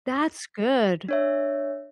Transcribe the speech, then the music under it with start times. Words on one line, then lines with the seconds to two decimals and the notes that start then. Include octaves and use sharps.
That's good.
1.09 D4 C#5 E5